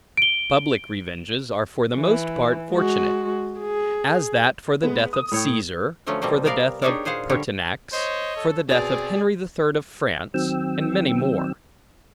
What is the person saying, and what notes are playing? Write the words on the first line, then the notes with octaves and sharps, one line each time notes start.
Public revenges are for the most part fortunate; as that for the death of Caesar; for the death of Pertinax; for the death of Henry the Third of France; and many more.
D7 G7
E3
G#3 F#4
G#4
G#3 B3
D#6
A2 C#5 G5
D3 F3 F#3 A3 C#4
B2 F3 G3 A#3 C4
C3 B3 A#4 D5 F5
D4 D#4 G4 G#4 C#5 D5
A#2 G#4 C5 F5 F#5
D3 G3 C#5
C5 C#5 D#5
A4
B2 C4 G#4 D5 A6 F7
D#3 F#3 C4 G5 E6